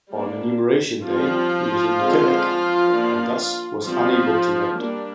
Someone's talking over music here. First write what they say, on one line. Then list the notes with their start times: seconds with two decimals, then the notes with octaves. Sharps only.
On enumeration day he was in Quebec and thus was unable to vote.
0.11 G3 A#3 D4
1.05 F3 G3 C4 F4
1.98 D3 G#3 C4
2.91 F3 A#3 D4
3.84 F3 G3 C4 F4
4.78 G3 A#3 D4